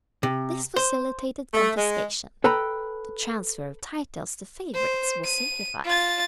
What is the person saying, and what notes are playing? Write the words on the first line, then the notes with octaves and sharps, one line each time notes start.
This facilitated confiscation; the tranfer of titles to favourites was simplified.
C3
C5
A3
G#3
A4 B4 G5 A#5 B5
C5
D#7
F4 A6